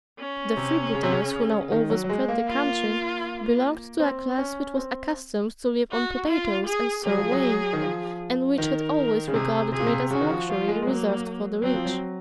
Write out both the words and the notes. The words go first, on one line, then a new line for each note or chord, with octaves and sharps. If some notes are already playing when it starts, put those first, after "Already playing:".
The freebooters who now overspread the country belonged to a class which was accustomed to live on potatoes and sour whey, and which had always regarded meat as a luxury reserved for the rich.
C#4
C3
C#3
C3
C#3
D#3
F#3
F#3
G#3
A#3
F4
C4
C#4
C4
F#4
F4
G#4
F#3 G#4
F3
F#3
D#3
F3
D#3 A#4
A#4
C#3
C3 G#4
C3 G#4
A#2
C3
C#3 F#4
D#3
F3
F3 F4
G#3
G#3
F#3 A#3
F#3 C4
F3
F#3